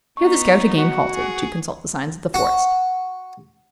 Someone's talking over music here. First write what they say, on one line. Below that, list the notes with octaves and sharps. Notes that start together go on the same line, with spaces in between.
Here the scout again halted, to consult the signs of the forest.
B3 D#4 C#6
F#4
G#4
F#4